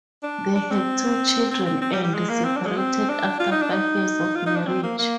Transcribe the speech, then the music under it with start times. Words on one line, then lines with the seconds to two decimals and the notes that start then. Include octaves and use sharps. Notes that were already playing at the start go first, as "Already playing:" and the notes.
They had two children and separated after five years of marriage.
0.23 D4
0.55 D4
0.71 C4
1.51 C4
1.66 C4
1.82 C4
1.93 G3
2.03 G3
2.14 G#3
2.29 A#3
2.45 C4
2.56 D4
2.67 G#3
2.77 C4
3.09 D4
3.40 F4
3.51 D#4
3.62 D4
3.72 D#4
4.35 F4
4.46 D#4
4.56 D4
4.67 C4
4.83 A#3
4.99 A#3